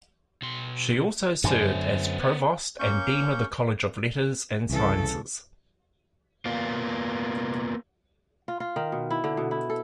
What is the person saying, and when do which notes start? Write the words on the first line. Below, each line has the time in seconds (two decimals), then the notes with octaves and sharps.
She also served as provost and dean of the College of Letters and Sciences.
0.42 B2 C6
1.44 F#2 D3 B3 C5
2.79 A#3 C#4 C#6 G6
4.70 C2 C#3 E3 A4
6.45 A#3 B3 F4
8.48 F4
8.60 F4
8.76 D#3
8.92 B2
9.10 E4
9.24 D3
9.37 B2
9.51 E4
9.70 A4